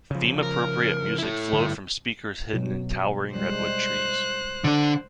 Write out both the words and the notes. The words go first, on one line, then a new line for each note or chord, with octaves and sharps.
Theme-appropriate music flowed from speakers hidden in towering redwood trees.
C#3 F3
A#4
E4 A4
G2 D3
B2 F#3
G3 G#3 C5 F#6
D3 D4